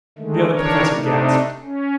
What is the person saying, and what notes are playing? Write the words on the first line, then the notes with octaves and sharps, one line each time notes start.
The Other Professor gasped.
D3 D#3 G#3 A3
D#3 E3 D4 A#4 C#5
C3 A3 D4 D#4
C#4